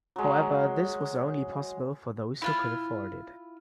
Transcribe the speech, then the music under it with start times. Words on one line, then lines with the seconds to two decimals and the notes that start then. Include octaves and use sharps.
However, this was only possible for those who could afford it.
0.16 F#3 G#3
2.42 E4 F4 F6